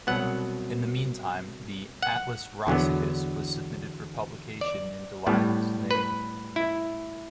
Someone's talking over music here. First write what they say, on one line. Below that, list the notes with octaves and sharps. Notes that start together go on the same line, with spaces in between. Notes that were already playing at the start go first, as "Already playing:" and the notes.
In the meantime, the "Atlas Rossicus" was submitted for publication in Delisle's name.
C2 B2 F#3 B3 F#5
F#5
E2 D3 F#3 B3
D5
A2 G3 B3
B4
E4